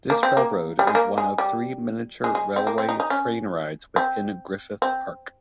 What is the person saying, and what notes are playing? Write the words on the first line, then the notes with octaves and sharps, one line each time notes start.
This railroad is one of three miniature railway train rides within Griffith Park.
A#3
C4
A#3
G3
G#3
A#3
G#3
G3
G#3
G#3
C4
A#3
C4
D#4
D#4
C#4
C4
C4